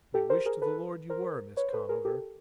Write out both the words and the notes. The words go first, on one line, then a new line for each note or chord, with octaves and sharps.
But we wish to the Lord you were, Miss Conover.
G4 A4
A#4 C5
G#4 A#4
A4 B4
A#4 C5
B4 C#5
C5
A4 B4
G#4 A#4
G4 A4